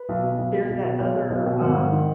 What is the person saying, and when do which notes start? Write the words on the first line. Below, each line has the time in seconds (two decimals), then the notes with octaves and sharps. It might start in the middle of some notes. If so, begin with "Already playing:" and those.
there's that other, um
Already playing: B4
0.09 B1
0.23 B2
0.38 B1
0.54 B2
0.70 B1
0.84 B2
1.00 B1 C#5
1.15 B2
1.30 B1 D#5
1.46 B2
1.61 G#1 F#5
1.77 G#1
1.92 D#3